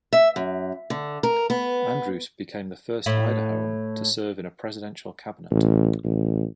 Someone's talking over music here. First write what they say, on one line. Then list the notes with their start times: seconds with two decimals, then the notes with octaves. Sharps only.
Andrus became the first Idahoan to serve in a Presidential Cabinet.
0.13 E5
0.36 F#2
0.90 D3
1.23 A#4
1.50 B3
3.06 A2 E4
5.51 A1
6.04 A1